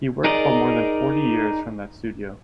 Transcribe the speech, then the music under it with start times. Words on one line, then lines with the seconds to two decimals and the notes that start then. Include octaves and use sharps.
He worked for more than forty years from that studio.
0.24 D#4 G#4 A#4 D5 D#5